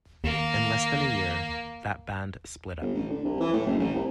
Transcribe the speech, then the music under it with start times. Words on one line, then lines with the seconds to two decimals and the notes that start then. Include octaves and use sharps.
In less than a year, that band split up.
0.24 D#2 A#3
2.81 G1
2.95 A1
3.10 D3
3.24 C2
3.40 E3
3.53 A2
3.66 F#1
3.79 A1
3.95 C2